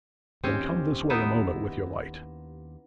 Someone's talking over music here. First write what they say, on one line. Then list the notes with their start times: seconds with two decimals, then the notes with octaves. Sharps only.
'Then come this way a moment with your light.'
0.44 D#2 C4 C#4 G4 C5
1.10 B3 D#4 E4